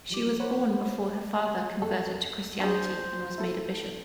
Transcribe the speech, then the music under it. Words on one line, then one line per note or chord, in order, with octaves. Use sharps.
She was born before her father converted to Christianity and was made a bishop.
F3 G3 D6
A#4 C5 C#5 F#5 B5
F2 A4
D4 G#4 C5
E4 A4